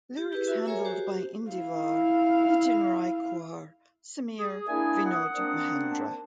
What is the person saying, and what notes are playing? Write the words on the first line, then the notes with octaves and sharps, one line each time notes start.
Lyrics handled by Indeevar, Nitin Raikwar, Sameer, Vinod Mahendra.
G4
E4 G4 G#4 B4
F#4 E5 E6
G#4 A#4 C#5 E5 G#5 A#5
F#4 G4 C5
E4 F5
G#4 D#6
A#3 D4 E4 G#5
F#5
A#3 C4 D4
A5